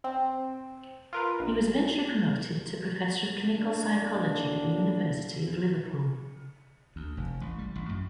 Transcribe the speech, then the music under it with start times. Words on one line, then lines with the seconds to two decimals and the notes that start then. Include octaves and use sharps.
He was eventually promoted to Professor of Clinical Psychology at the University of Liverpool.
0.04 C4
1.13 F4 A#4 B4
1.40 A#1
3.57 A2 D3 A#3 D4
6.96 D2
7.17 F1
7.41 A1
7.58 G3
7.76 A1
7.89 F#2